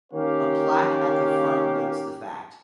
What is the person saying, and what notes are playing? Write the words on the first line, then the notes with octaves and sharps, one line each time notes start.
A plaque at the front notes the fact.
D#3 A#3 C#4 G4 C#5 F5